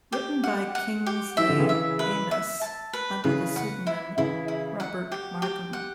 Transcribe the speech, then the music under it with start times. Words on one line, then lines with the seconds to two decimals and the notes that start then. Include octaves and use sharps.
Written by Kingsley Amis under the pseudonym Robert Markham.
0.12 G4
0.44 F#5
0.75 F#5
1.06 G4
1.37 E3 E5
1.49 D3
1.59 C#3 E3
1.69 E5
1.99 B4
2.31 E5
2.61 A5
2.93 B4
3.24 C#3 E3 B4
3.56 F#5
3.87 E4
4.17 C#3 E3 E4
4.48 E4
4.80 F#5
5.12 G4
5.42 G4
5.73 F#5